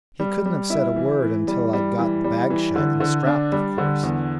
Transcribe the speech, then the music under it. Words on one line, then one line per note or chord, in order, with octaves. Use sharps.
He couldn't have said a word until I'd got the bag shut and strapped, of course.
G3
G3
E4
E3
E3
G3
G3
E3
G3
E3
D3
D3
D4
G3
D3
E2